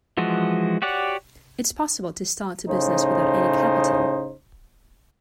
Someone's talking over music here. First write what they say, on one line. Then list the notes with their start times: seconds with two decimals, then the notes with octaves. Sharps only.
It's possible to start a business without any capital.
0.17 E3 F3 G#3 F#4
0.82 F#4 G4 C#5 D5 F#5
2.68 A2 C#3 D#4 C5